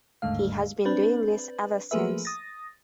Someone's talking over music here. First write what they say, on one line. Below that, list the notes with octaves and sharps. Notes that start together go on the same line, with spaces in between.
He has been doing this ever since.
G1 D#2 G#2 D3 A3 F5
C4 D4 B4
F3 A3 A#3 G#4 B4 E5
D#6 A6 A#6